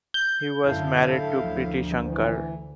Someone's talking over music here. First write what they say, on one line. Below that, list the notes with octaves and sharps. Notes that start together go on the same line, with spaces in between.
He was married to Priti Shankar.
G6
F#2 A2 D3 E4 A4 F5
D2 F3
E3